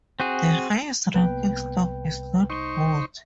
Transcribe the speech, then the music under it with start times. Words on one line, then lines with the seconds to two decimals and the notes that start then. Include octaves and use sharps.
The highest ranking stock is not bought.
0.20 C4 F#4 G#4
1.14 C2 A#3 B3 B4 G5
2.50 D#4 C5 C#6